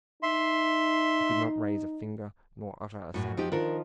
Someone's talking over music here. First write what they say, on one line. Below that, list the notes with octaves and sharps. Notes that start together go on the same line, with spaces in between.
He could not raise a finger nor utter a sound.
D#4 E5 C6
F#2 A2 F#4 C#6
F3 D#4 G4
D#3 F3 D4 A#4